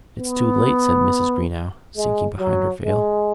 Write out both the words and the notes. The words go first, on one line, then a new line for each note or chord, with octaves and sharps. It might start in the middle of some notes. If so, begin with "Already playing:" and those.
"It's too late," said Mrs. Greenow, sinking behind her veil.
B3
G#3
F#3
G#3